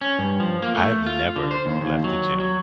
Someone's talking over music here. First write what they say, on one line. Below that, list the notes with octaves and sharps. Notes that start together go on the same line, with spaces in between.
I have never left the gym
C#4
G2
F3
A#3
A3
F4
D3
C5
D#2
D#2
F#3
F#3